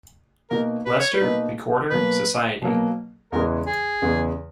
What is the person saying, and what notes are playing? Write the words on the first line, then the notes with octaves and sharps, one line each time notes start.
Leicester Recorder Society.
B2 A#3 D#4 F#4 A#4
B4
C#5
B4
B2 A#3 D#4 F#4
B2 F#3 A#3 B4
B2 F#3 A#3
E2 C#3 E3 G#3 A#4
G#4
E2 C#3 E3 G#3